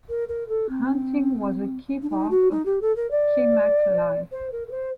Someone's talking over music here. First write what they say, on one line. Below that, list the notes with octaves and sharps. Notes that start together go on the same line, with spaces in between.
Hunting was a key part of Kimak life.
A#4
A#4
A4
C4
D4
D#4
F#4
D#4
G4
A4
A#4
D5
C5
A#4
A#4
C5